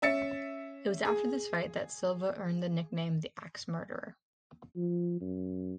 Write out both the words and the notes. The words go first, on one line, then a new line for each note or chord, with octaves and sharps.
It was after this fight that Silva earned the nickname "The Axe Murderer".
C#4 E5 A6 C#7
G#4
F3
F#2